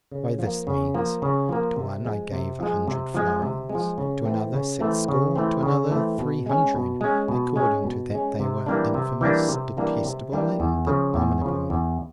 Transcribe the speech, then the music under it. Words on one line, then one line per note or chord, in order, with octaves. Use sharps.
By this means, to one I gave a hundred florins, to another six score, to another three hundred, according to that they were infamous, detestable, and abominable.
C#3
F3 A#3
C#3
F3 A#3
C#3
F3 A#3
C3
F3 G#3
C3
F3 G#3
C3
F3 G#3
C3
G#3
F3
C#3
E3 A3 C4
C#3
E3 A3 C4
C#3
E3 A3 C4
C#3
E3 A3 C4
B2
G#3 C#4
B2
G#3 C#4
B2
G#3 C#4
B2
G#3 C#4
C3
E3 G3 A#3 D4
C3
E3 G3 A#3 D4
C3
E3 G3 A#3 D4
C3
E3 G3 A#3 D4
E2
C#3 F3
E2
C#3 F3
E2